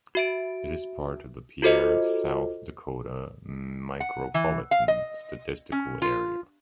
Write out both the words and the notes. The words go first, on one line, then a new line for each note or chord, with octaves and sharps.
It is part of the Pierre, South Dakota Micropolitan Statistical Area.
F#4 E5 D7
F4 F#4 A4 C5 D#5
F#5
E3
F5
D#5
C#4
F4